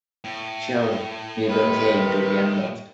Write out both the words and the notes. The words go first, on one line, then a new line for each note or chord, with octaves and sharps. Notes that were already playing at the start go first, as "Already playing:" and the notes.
Surely you don't claim to be unloved!
A2
C3 D#3 B4